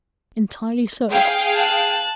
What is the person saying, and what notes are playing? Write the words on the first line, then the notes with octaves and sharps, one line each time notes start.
"Entirely so."
G#4 F5 G5
A5 F#6